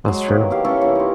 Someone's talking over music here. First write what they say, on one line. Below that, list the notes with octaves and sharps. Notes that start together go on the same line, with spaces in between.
That's true.
F#3 G#3
D#3 A#3 B3
E4 G4 F5
C#4 E4 A4 C#5
C3 E3 A#3 C#4
D#4 F4